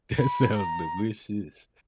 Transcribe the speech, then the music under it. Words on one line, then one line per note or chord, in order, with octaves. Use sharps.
that sounds delicious.
B5
A#5